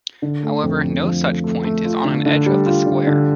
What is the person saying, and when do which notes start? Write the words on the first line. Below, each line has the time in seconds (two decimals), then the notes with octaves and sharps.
However, no such point is on an edge of the square.
0.22 D3
0.43 A3
0.63 F2
0.83 F2
1.04 F3
1.23 A3
1.44 A3
1.65 A3
1.85 F4
2.05 D3
2.26 D3
2.46 G3
2.66 F4
2.86 D3
3.07 D3